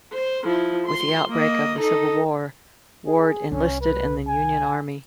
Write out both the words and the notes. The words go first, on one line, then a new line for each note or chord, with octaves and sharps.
With the outbreak of the Civil War, Ward enlisted in the Union Army.
C5
F3 E4
C6
A#3 D#5
D#4 A4
G#4
C2 C#4
B4
G#5